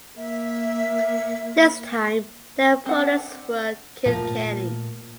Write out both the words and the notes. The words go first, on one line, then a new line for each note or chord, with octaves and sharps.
This time their opponents were Kilkenny.
A#3 E5
C4 D4 F#5
A#2 F3 A3 A#3 F4 A#4